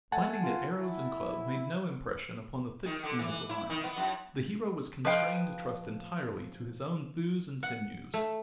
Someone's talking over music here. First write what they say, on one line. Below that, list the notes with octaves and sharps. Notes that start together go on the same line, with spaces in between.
Finding that arrows and club made no impression upon the thick skin of the lion, the hero was constrained to trust entirely to his own thews and sinews.
A3 F#5 G#5 A5
F4
E4
D#3
D3
E3
E4
D#3
B3
F#2
F3 B4 D#5 F5 G5
F#5
A3